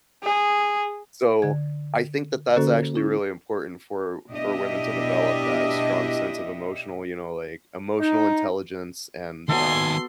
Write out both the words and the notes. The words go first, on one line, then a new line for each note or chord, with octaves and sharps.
So, I think that that's actually really important for for women to develop that strong sense of emotional you know, like emotional intelligence, and, um
G#4
D3 G#6
D3 A#3 C#4 F#4 A4 C5
C#4 E4
B2 D4 E4 G4 D#5 E5
D#4
D#2 B3 F#4 A4 G#5 C6